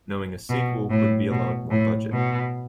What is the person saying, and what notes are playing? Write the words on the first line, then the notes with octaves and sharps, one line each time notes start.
Knowing a sequel, would be allowed more budget.
B2
A2
B2
A2
B2